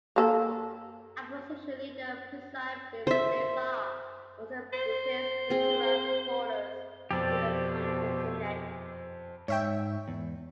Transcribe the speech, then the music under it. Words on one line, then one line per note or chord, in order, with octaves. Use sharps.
Opposition Leader Persad-Bissessar also replaced Dookeran's supporters in the appointed Senate.
A#3 A4
C5 E5
C5
C4 G#4
F2 B2 F3 G4 A4 C5 D5
G#2 C#5 E5 G5
E2